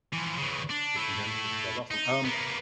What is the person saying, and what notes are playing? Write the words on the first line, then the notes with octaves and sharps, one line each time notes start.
He's from here in the states. That's awesome. Um,
E3 F3
C#3 E3
D4
A3 E4
D#4
A#3 B3